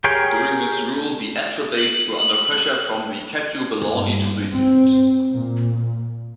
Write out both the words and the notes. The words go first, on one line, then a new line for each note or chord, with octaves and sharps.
During his rule, the Atrebates were under pressure from the Catuvellauni to the east.
G4 G#4 A#4 C#5 G5
F#7
G2
C4
A#2